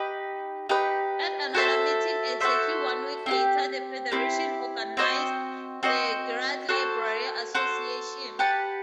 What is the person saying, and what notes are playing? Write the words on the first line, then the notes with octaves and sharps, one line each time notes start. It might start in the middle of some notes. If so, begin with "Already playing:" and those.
At another meeting exactly one week later the Federation organized the Girard Library Association.
Already playing: D#4 G4 B4
D#4 G4 B4
F#4 A4 C5 E5
F#4 A4 C5 E5
C4 E4 G4
C4 E4 G4
C4 F#4 C5 D#5
C4 F#4 C5 D#5
F#4 A4 C5
F#4 A4 C5
G4 B4 F#5 A5